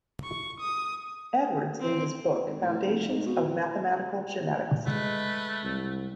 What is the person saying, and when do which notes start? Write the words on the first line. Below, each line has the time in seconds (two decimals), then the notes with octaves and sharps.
Edwards in his book "Foundations of Mathematical Genetics".
0.24 C#6
0.60 D#6
1.80 C4
2.45 G#1
2.62 A2
2.85 F1
3.08 G#2
3.26 B2
3.44 F2
4.86 G#3 A3 B4
5.64 C2